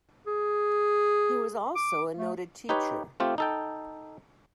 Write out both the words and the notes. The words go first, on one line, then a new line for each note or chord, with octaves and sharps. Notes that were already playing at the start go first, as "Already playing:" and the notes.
He was also a noted teacher.
G#4
D6
A3
D#4 G4 B4 C#5
A3 C4 F4 G4
D#4 A4 G5